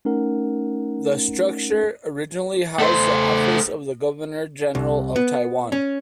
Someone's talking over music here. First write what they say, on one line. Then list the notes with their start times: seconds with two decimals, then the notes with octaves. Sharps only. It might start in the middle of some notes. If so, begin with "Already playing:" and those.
The structure originally housed the Office of the Governor-General of Taiwan.
0.05 A3 C#4 D#4 A#4 F#5
2.79 A3 C5
4.75 C2
5.16 B3
5.72 C#4